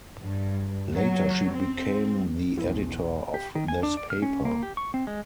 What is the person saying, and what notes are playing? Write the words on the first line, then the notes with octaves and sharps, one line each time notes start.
Later, she became the editor of this paper.
G2
F#3
C4
B1 E2 F3 E4
G4
D#3
G#5
D4
D5
F6
C#4
A#3
G4
C#6
C4
G#3